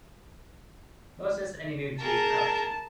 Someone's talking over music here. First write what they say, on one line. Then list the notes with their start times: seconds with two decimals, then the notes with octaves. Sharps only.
Moses and Emil G. Hirsch.
2.00 G#4 A#4 A5